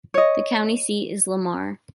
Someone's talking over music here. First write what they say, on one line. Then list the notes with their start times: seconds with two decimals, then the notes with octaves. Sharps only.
The county seat is Lamar.
0.14 C#5 D#5